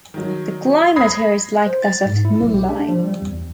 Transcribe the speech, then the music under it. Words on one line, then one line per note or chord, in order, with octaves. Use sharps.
The climate here is like that of Mumbai.
D#3 F#3
B5 D#6 G#6 A#6 C7
C5
A6
G#2
E4
B1
G4
D4
F3
G3
E2